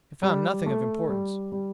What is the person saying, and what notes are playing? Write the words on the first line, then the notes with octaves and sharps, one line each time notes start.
They found nothing of importance.
G3
A3
G3
G3